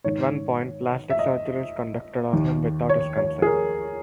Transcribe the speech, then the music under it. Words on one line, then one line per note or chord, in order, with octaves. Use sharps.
At one point plastic surgery is conducted on him without his consent.
G#2 D#3 C#5
E5
D#5
D#2 D#3
C#5
C#5
G#4
A#4